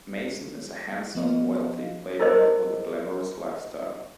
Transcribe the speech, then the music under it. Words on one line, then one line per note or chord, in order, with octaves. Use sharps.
Mason is a handsome, wealthy playboy with a glamorous life style.
F3 B3 D#5 F5
E4 A#4 C5 D#5